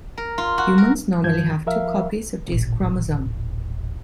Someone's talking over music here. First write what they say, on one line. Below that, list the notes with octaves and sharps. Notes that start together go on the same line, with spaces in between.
Humans normally have two copies of this chromosome.
A#4
F4
F#4
A#4
C#2 G2 F3 G6 G#6
F3 A#4 E5 F5
D#1 A1